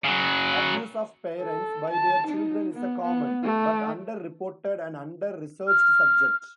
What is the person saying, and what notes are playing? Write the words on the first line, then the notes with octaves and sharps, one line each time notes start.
Abuse of parents by their children is a common but under-reported and under-researched subject.
C#3 F#3
A4
A5
D#4
B3
B3
A3
F6